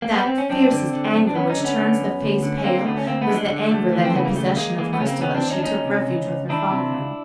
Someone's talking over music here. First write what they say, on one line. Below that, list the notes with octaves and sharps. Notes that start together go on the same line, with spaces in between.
That fiercest anger which turns the face pale, was the anger that had possession of Cristel as she took refuge with her father.
A#3
B3
C4
C#4
F#2 C4 D4
D3
D3
F#2
D4
F#2 B3 C#4
C#4 D#4
D3
B3 C#4
D3
F#2
D2
D3
C#4
D3 A#3 C4
D2 A3 B3
C#4
D2 A#3 C4
A3 B3
D3
G#3
D3
D2 A3
E3
C4
C#3 B3
A#3
D#2 A3
D#2 G#3 A#3
E3 G#3 A#3
A3 B3
C#3 C#4
A#3 C4
D#2 B3 C#4
C4 D4
D#2
C#4 D#4
D4
D#3 C#4 D#4
C3
C#2
C#2
D#3 D4 E4
C3
C#2